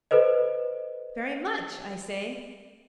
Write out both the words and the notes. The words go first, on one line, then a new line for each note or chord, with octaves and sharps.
"Very much," I say.
A4 B4 C5 D#5